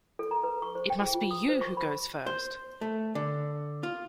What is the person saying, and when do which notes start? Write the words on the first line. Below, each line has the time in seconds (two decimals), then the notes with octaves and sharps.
It must be you who goes first!
0.19 A4
0.31 A#5
0.44 B4
0.62 C#6
0.75 C5
0.90 G5
1.01 G#4
1.14 F4
1.31 D#6
1.49 C5
1.61 C#6
1.77 B5
2.26 C5
2.81 A3
3.15 D3
3.83 F4